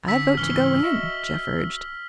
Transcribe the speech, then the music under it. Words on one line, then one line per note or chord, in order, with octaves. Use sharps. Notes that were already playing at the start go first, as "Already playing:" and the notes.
"I vote to go in," Jeff urged.
D3 E6 B6
G#2 C#3 E3 F6 G7
F#4 D#5 E5